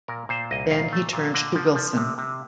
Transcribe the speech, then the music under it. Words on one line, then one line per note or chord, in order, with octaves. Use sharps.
Then he turned to Wilson.
A#2 A#4
A#2 C5
C2 D#5
A#2 F5
A3
A#2
F5
D3 D#5
F3
F3
C3
C3